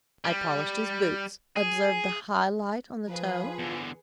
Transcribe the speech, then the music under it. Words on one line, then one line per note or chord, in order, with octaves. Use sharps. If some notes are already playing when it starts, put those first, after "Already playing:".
I polished his boots,--observe the high light on the toe.
G3
G#4
F3 G#4 B4
E2 D3